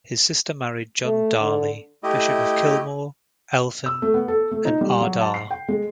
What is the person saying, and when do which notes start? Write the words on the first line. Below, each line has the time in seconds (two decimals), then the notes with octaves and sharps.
His sister married John Darley, bishop of Kilmore, Elphin, and Ardagh.
1.04 A3
1.40 D3
2.04 A3 E4 G4 D#5
3.86 E6
4.02 A3
4.14 B3
4.28 A4
4.51 A3
4.65 D#4
4.81 G3
5.01 F#3
5.21 A5
5.34 C7
5.51 G5
5.68 G#3